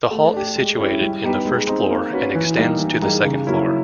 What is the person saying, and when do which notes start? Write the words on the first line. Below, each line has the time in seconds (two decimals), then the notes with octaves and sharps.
The hall is situated in the first floor and extends to the second floor.
0.11 A3
0.34 D4 G4
0.56 G#3
0.78 C#4 E4 G4
1.01 G3
1.23 B3 D#4 G4 B4
1.45 G#3
1.67 C4 D#4
1.91 A#3
2.13 C#4 F#4 B4
2.35 E3
2.57 G3 A#3 D#4
2.80 E3
3.02 G3 A#3 D#4 G#4
3.24 C#3
3.47 F#3 A#3 C#4 E4